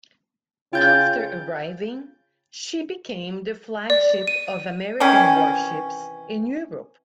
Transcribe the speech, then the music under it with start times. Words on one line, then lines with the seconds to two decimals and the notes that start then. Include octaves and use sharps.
After arriving, she became the flagship of American warships in Europe.
0.73 C#3 F4 G5 G6 A6
3.90 D5
4.27 D#7
5.00 C3 D#3 E3 C#4